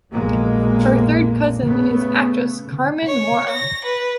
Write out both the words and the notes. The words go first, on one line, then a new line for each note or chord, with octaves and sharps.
Her third cousin is actress Carmen Maura.
F1 A#1 B2 G#3 A#3
C#3 A3 B3
C#5
A#6
B4